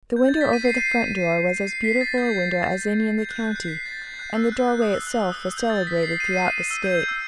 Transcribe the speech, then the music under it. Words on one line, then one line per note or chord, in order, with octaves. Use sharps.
The window over the front door was as beautiful a window as any in the county, and the doorway itself was celebrated throughout the state.
G6
A6
B6
D#7
C7
D#7
C7
B6
A6
G6
G6
F#6
G6
C7
B6
A6
G6
F#6
E6
F#6
F#6
D#6
E6
F#6
E6
D#6
E6
G6
A6
B6
C7
D#7
D#7
C7
E6
G6
E6